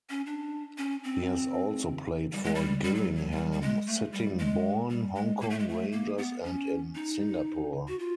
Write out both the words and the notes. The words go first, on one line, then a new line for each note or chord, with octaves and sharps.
He has also played for Gillingham, Sittingbourne, Hong Kong Rangers and in Singapore.
C#4
D4
C#4
C4
G3
G#3
G3
G3
F#3
F#3
G#3
G3
G3
G#3
A3
G3
G#3
G3
G#3
A#3
A3
G#3
A3
A#3
B3
C#4
D#4
F#4
F4